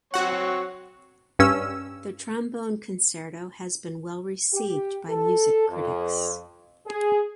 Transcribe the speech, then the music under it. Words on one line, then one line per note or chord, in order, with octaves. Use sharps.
The Trombone Concerto has been well received by music critics.
F#3 C4 F#4 C#5 F#5
G2 C#4 E6
G4
A4
F2
G#4